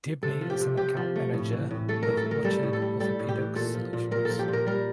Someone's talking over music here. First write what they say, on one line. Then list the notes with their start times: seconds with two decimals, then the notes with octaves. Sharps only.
Debney is an Account Manager with Orchid Orthopedic Solutions.
0.23 C3 A4
0.41 F3
0.50 G4
0.60 C3
0.77 C3 G4
0.97 F3
1.16 A3
1.34 A2
1.53 E3
1.71 A2
1.89 A3 A4
2.03 A#4
2.08 A2
2.17 A4
2.26 A3
2.31 A#4
2.44 G3 A4
2.63 A2
2.73 A4
2.82 G3
3.00 G3 A4
3.19 A2
3.29 G4
3.37 E3
3.55 A#2 A4
3.74 F3
3.93 A#2
4.11 A#2 A#4
4.25 F3 A4
4.39 G4
4.48 A#2
4.53 A#4
4.66 G3 A#4